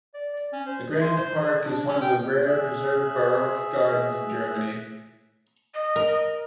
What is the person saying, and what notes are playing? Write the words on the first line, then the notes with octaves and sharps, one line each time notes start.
The grand park is one of the rare preserved baroque gardens in Germany.
D5
D5
C#4
C5
G#4
C6
C5
G#4
D4
C#4
G5
G#4 E5 F#6
D#5
A#4